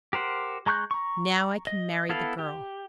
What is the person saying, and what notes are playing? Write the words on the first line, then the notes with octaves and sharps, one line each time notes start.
"Now I can marry the girl."
G4 A#4 C5 F#5
G#3 A#5 C#6 F#6 G6
A#5 C#6
D#5
B3 E4 A4 F5
G4